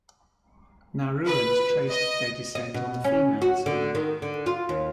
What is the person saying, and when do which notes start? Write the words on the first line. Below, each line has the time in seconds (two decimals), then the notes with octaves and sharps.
Nauruans traced their descent on the female side.
1.27 B4
1.90 D#5
2.55 D#5
2.74 B2
3.04 C#4
3.42 F#4
3.66 D3
3.95 D#3
4.22 D3
4.46 F4
4.69 D#2